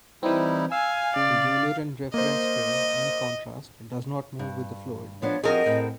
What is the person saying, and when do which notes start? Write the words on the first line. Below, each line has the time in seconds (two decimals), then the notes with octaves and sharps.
The Eulerian reference frame, in contrast, does not move with the fluid.
0.23 E3 G3 C4 D#4 E4
0.72 F5 G#5 E6
1.16 C#3 D5
2.14 A#3 C5 D#5
4.39 G2
5.22 F3 B3 D4 C#5
5.44 F3 C4 F#4 G#4 A#4 D#5
5.66 A2 C4